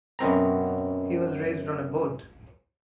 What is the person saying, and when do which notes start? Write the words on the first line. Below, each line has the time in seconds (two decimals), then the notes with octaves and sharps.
He was raised on a boat.
0.19 F#2 B2 C4 A#5